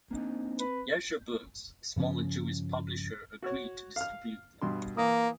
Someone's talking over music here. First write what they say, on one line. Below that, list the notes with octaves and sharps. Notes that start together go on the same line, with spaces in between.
Yashar Books, a smaller Jewish publisher, agreed to distribute them.
A#3 C4 D4 D#4
B4
G2 C#3 F3 C#4
F#4 C#5
F5 F6
G2 B2 C6
E3 A#3 D#6